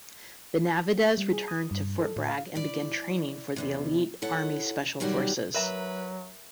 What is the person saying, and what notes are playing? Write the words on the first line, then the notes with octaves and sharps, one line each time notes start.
Benavidez returned to Fort Bragg and began training for the elite Army Special Forces.
G3
G#4
D#6
G2
A4
A2
F5
E4 D5
E2 G2 C3
E4 A4 C#5 F#5
B2 D#3 F#3 G3 F#4 G4
F#3 A#4 B4 E5 A#5